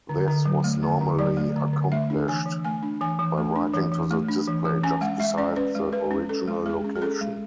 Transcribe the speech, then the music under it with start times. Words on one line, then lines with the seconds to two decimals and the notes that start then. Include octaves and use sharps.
This was normally accomplished by writing to the display just beside the original location.
0.09 D3
0.28 D3
0.46 F#3
0.64 A3
0.82 D3
1.01 D3
1.19 F#3 D5
1.37 A3
1.56 D3
1.73 D3
1.92 A3 E5
2.10 D4
2.28 E3 G#5
2.46 E3
2.65 A3 G#5
2.83 D4
3.01 E3 G#5
3.19 E3
3.38 A3
3.56 D4
3.73 E3
3.92 E3
4.11 A3
4.28 D4
4.47 E3
4.65 E3
4.83 C#4 G#5
5.01 G#3 F#5
5.20 G#3 E5
5.38 C#4 D5
5.56 C#4 B4
5.75 G#3
5.93 G#3 B4
6.11 C#4
6.29 C#4 A4
6.48 G#3
6.66 G#3 G#4
6.84 C#4
6.96 G#4
7.02 C#4 A4
7.21 G#3